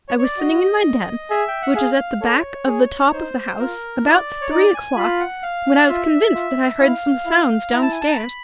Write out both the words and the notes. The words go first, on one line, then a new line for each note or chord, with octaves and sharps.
I was sitting in my den, which is at the back of the top of the house, about three o'clock, when I was convinced that I heard some sounds downstairs.
C#5
C#5
D5
F#4 D#5
G#4 E5
G5
F#5
G#4 F5
A4 C#5
G#4
D#4 C5
F4 A#4
E4 D5
C#5
D#4 D5
G#5
F4 B5
F#5
F5
F4 E5
F4
E4 F5
E4
E4 A#5
A5
G#5
A5
A#5
B5